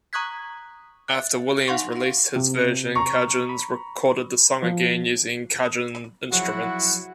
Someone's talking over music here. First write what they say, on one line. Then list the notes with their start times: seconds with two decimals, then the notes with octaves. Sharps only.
After Williams released his version, Cajuns recorded the song again using Cajun instruments.
0.13 A#5 C#6 D#6 F#6 G#6 B6
1.08 E5 F#6
1.68 D#4 F5 F#5 C6 C#6
2.36 C3
2.95 A#5 C#6
3.49 B5
4.63 F3
6.32 C#3 F3 F#3 E4 F#4 F#5